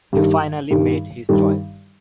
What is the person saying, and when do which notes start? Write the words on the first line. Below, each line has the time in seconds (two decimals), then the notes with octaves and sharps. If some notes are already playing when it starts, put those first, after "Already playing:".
He finally made his choice.
0.13 G2 D#3 G3
0.71 G2 D#3 G3
1.29 G2 D#3 G3